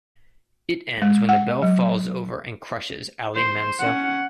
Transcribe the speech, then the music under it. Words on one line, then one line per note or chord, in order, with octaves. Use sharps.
It ends when the bell falls over and crushes Aly Mansuh.
G#3
F#5
F#3
C5
C#4 F#5